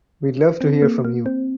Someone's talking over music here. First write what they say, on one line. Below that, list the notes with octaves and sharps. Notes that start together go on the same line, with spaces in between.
We’d love to hear from you.
C4
A#3
A#3
C4